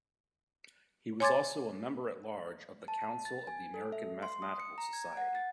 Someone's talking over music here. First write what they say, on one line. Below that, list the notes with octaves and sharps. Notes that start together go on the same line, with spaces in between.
He was also a Member-at-Large of the Council of the American Mathematical Society.
C#5 G#5 C6 D6 G#6 A6
A5
A6
G#5
A4
E5
C6
D#6
C#7
A#5
G#6
F#5
A6